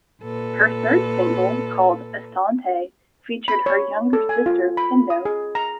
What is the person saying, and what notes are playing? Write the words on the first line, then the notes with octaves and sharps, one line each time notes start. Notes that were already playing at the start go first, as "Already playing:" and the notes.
Her third single called ‘Asante’ featured her younger sister Pendo.
A#2 A4 B4
B5
C#5
A4
G#5
F4
B5
D#6
G#4
A#5